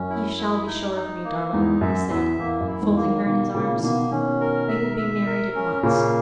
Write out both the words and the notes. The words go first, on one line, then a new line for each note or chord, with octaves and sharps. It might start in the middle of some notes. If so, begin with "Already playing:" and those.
"You shall be sure of me, darling," he said, folding her in his arms. "We will be married at once."
Already playing: F#2 C#4
E4
E4
D#4
D#4
A#3
E2 G#2 D#4
F#2 E5
E2 E5
E2 A#3
F#2
E4
E2 G#2
A#3
D#3 F#3
B2 D#3 A#3
A#2 C#3 A#3
E3
B2 D#3 A#3
B2 D#3 C#4
A#4
E5
E5
A#4
C#4
A#2 C#3 A#3